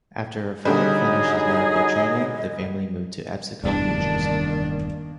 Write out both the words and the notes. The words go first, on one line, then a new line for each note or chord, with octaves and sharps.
After her father finished his medical training, the family moved to Absecon, New Jersey.
D3 F#3 G3 D#4 G#4 D#5
F1 E2 G2 D#3 A#3 D4 D5